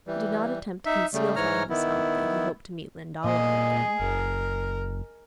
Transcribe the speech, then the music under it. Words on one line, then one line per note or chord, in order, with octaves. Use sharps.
He did not attempt to conceal from himself that he hoped to meet Lynde Oliver again.
E3 G3
D#4 E5
C#3 G3 A3
G#2 E3 C#5 A#5 F6
D#3 B3 E4
A#2 G#4 D#5
F#1 A#4